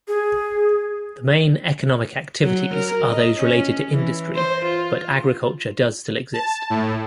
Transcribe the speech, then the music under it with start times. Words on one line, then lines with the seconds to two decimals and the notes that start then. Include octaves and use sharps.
The main economic activities are those related to industry, but agriculture does still exist.
0.08 G#4
2.43 F#3
2.74 A#4
3.09 D#5
3.40 C#4
3.91 E3
4.35 C5
4.66 F4
6.34 A5
6.70 A2